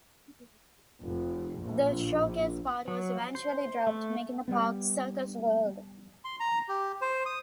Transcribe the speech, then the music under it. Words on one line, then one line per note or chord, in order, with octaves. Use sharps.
The Showcase part was eventually dropped, making the park "Circus World".
F1
A#1
F#3
C5
A3
G3 A3 B3
C6
A#5
G4
C5
D#6